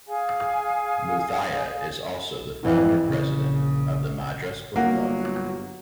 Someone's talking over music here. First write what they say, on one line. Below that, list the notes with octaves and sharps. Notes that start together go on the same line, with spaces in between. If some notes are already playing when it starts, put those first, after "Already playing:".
Muthiah is also the founder-President of the Madras Book Club.
G#4 F5 G#5
F2 E3
A#1 C#3
G1 F#3 A#3 F#5